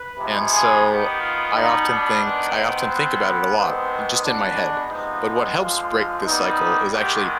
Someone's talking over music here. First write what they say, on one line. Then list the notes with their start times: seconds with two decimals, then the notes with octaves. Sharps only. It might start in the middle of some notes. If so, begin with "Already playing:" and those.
And so I often think I often think about it a lot, just in my head. But what helps break this cycle is actually
Already playing: B4
0.18 C3 F3 G#3 B3
0.52 G#4
0.85 D#3 B3 G4
1.19 F4
1.53 B2 G3 B3 D#4
1.86 D4
2.21 D#3 G#3 B3
2.54 C4
2.87 B2 B3
3.55 C3 D#3 G#3 B3 C4
4.23 B2 G#3 B3 D4
4.90 C3 F3 G#3 B3 D#4
5.57 D3 F3 G#3 F4
6.25 C3 G3 B3 D#4
6.92 C3 D#3 G#3 B3 G4